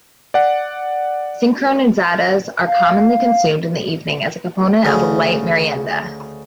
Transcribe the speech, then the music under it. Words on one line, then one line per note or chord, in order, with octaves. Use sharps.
Sincronizadas are commonly consumed in the evening, as a component of a light Merienda.
D5 F#5
F5
D2 C#3